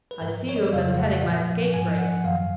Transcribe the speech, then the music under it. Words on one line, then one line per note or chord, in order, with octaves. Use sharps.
"I see you have been petting my scapegrace."
B4
G#2 F3 A#4
C#5
D#5
F2 C#3 F#3 F5
F#5
A#2 F3
G#2 F3 G#5
F#5
F#2 D#3 F#3 F5